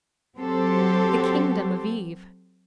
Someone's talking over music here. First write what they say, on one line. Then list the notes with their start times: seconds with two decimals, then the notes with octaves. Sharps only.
The kingdom of Eve.
0.37 F#3 C4 F#4 G4 A4 C5